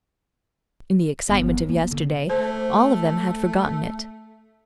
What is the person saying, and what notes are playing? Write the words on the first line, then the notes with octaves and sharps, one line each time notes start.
In the excitement of yesterday all of them had forgotten it.
G1
A#3
D3
A3 C5